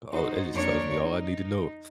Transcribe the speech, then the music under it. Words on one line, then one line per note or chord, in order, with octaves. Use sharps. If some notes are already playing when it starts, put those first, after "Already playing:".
Oh, that just tells me all I need to know.
D#4 F#4 C5
F2 A#3 D4 A#4 C#5 D5
D#4